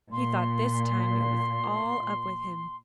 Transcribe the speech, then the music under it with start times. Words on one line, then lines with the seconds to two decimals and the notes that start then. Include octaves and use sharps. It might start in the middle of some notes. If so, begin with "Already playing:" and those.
He thought this time it was all up with him.
0.11 A#2 C6